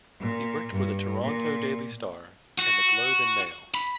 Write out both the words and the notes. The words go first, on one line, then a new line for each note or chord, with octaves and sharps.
He worked for the "Toronto Daily Star" and "The Globe and Mail".
A#2
G2
A#2
F#4
B5